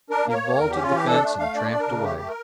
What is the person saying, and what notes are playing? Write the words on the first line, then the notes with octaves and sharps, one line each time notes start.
He vaulted the fence and tramped away.
D4 A#4
A#3 A#4
C#5
A#3
E2 A#4
C#4 G4
F4
E3 G4
D4 A4
A3
A3 F5
D4 D5
D4
A#4
C#3
A3 G4
A3
A#4